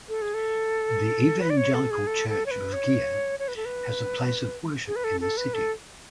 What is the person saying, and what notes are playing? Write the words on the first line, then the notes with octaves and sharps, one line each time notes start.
The Evangelical Church of Gier has a place of worship in the city.
A4
G#4
A4
B4
D5
C#5
A4
G#4
A4
A4
C#5
B4
C#5
C#5
B4
A4
B4
G#4
B4
A4
A4
B4
A4